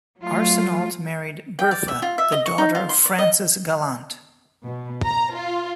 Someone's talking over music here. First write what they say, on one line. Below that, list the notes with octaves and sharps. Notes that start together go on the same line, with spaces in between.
Arsenault married Bertha, the daughter of Francis Gallant.
F#3 A3 F4
G5
D5
E5
F4
E5
D#5
C#6
D#4
F4
C6
D5
D#5
B2
A#5
F4